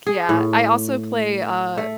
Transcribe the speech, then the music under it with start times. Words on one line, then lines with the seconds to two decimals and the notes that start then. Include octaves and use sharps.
Yeah, I also play, uh,
0.07 G#4
0.29 A2
1.78 A3